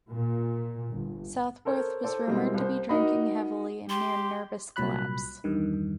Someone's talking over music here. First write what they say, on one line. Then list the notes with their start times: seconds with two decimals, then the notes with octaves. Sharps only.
Southworth was rumored to be drinking heavily and near nervous collapse.
0.11 A#2
0.91 G1
1.65 A4 A#4 C5 C#5
2.04 A4 C5 D5
2.27 B2 G3 G#3 A#3 C4 E4
2.54 C2 C5
2.89 D#4 F#4 A#4 D5 D#5 B5
3.89 G4 C6
4.76 C2 A#2 F#3 B5 F#6
5.44 E2 G2 D#3